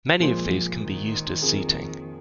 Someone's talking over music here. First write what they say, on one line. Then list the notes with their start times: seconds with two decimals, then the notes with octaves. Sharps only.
Many of these can be used as seating.
0.20 A#2 F3 G#3 F4 C5
0.82 D#3
1.42 F2 F3 A#3 G#4